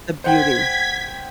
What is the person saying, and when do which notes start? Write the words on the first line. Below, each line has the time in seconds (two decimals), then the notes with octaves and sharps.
the beauty.
0.24 C5 F#5 G5 G#6 B6